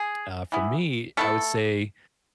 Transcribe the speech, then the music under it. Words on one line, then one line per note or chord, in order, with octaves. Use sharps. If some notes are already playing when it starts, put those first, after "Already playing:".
Uh, for me, I would say
Already playing: G#4
E3 B3 E4
E3 A3 B3 E4 A4